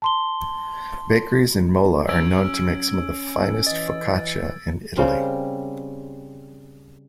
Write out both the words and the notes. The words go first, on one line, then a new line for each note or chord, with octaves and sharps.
Bakeries in Mola are known to make some of the finest focaccia in Italy.
A5 C6 G7
F#3 C#4 E6 G#6 D7
E3 D#5 A6
C#3 G3 C4 A#4